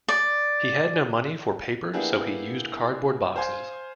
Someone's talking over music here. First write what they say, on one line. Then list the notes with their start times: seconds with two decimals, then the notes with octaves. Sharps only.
He had no money for paper so he used cardboard boxes.
0.08 D5
1.94 A#3 B3 D4 E4 G4 G#4
3.36 C5 F5 G#5 C6